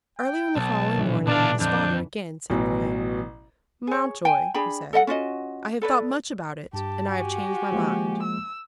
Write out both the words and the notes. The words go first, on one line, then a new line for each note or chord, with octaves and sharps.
Early on the following morning his father again sent for him. "Mountjoy," he said, "I have thought much about it, and I have changed my mind."
G5
B1 A5
A#2 D3 E3
B2 D4 F5 A5
F2 D4 G6
A1 B2 F#3
G#4 C#5
G5 G#5
D4 G#4 G5 B5
A4 D#5 E5 F#5
C#4 F4 F#4 D#5
A4 B4 C#5 D5
G2 G4 A5
F#4 G4 G#5
F3 G#3 A#3
E6